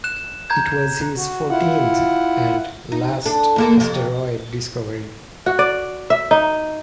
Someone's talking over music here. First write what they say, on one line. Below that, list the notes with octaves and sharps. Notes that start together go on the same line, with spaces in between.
It was his fourteenth and last asteroid discovery.
F#6 E7
A#5 G6 G#6
F#4
E4 F4 F#5
D#4
D4 A4
D#2 A#3 A4
F2 C3
F#4
D5
E5
D#4